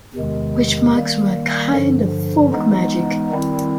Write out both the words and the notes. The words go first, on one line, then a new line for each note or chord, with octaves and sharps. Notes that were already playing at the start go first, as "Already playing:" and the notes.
Witch marks were a kind of folk magic.
E2 C3 D#3 G#3
D#3 G3 A#3
G2 D3 F3
E3 G#3 B3 D#4
D#3 G3 C4 E4